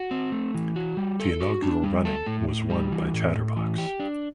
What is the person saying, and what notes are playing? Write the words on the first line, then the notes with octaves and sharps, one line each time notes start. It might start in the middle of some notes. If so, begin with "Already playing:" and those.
The inaugural running was won by Chatterbox.
Already playing: F#4
C4
A3
E3
F#4
G3
A4
F#4
D4
G3
A4
A2
A2
G3
E3
A2
A2
E3
G4
D4